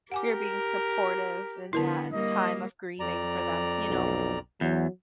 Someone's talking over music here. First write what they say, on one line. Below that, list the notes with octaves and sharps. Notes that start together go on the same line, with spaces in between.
you're being supportive in that time of grieving for them, you know?
G4 A#4 F#5 G#5 D6
D3 B3 E4 A#4 A5
G3 A#3 D#5
F2 D5 A#5
B1
E2 F#3